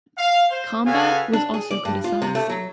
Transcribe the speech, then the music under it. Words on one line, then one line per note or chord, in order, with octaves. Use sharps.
Combat was also criticized.
F5
C5
C#3 F#4 A4 B4 F5 G#5
D4
G#4
D5
G2
F4
C3
A3
F#3